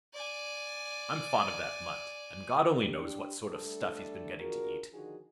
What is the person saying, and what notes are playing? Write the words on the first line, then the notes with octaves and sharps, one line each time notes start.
I'm fond of that mutt, and God only knows what sort of stuff he's been getting to eat.
D5 G#5
D4 G4
G3 A3 D4 A4
D4 F4 F#4 G#4 A#4
D3 D#3 F3 D#4 F#4 G#4